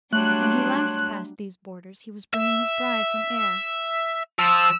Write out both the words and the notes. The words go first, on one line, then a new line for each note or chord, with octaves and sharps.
When he last passed these borders, he was bringing his bride from Ayr!
F#3 G3 A3 D4 C#5 A5 C6 F#6
E5
F3 E6